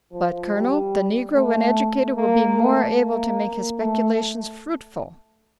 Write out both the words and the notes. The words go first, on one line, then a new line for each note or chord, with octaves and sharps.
"But, Colonel, the negro when educated will be more able to make his speculations fruitful."
F3
G3
A3
A#3
A3
A#3
A3